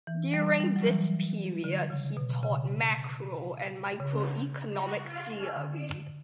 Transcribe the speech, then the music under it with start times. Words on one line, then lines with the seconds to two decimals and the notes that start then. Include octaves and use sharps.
During this period he taught macro- and micro-economic theory.
0.07 E3
0.34 G3
0.60 G3
0.76 F#3
0.86 E3
1.64 D3
1.90 C#3
2.17 B2
2.43 C#3
4.00 C#3
5.56 D3